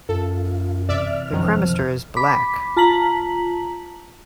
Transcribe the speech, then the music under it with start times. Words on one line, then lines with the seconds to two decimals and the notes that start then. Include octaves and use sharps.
The cremaster is black.
0.09 F#2 F4 A4
0.89 E2 C3 D5 E5 F6
1.33 F#2 D#3 F3
2.17 B5 D6 B6
2.76 F4 A5 A#5 B6 F#7